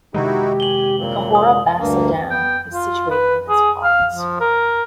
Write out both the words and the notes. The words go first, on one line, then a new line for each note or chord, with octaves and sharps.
The Cahora Bassa Dam is situated in this province.
C3 D#3 G#3 D#4 E4 F#4 G4
G#5 F#7 G7
A#2 C#3 F#3 C4
D#6
D2 G2 A#3
B3 G5
F4
B4
G#4
F5
F3
A#4